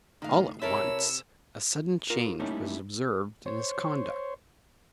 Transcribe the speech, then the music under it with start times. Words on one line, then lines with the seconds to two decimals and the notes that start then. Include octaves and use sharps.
All at once a sudden change was observed in his conduct.
0.22 A2 D#3 F5
0.62 C3 E4 A4 A#4 C#5 E6
2.10 F4 A#4
2.39 G3 A3 A#3 C#4 D#4 E4
3.46 C5 C#5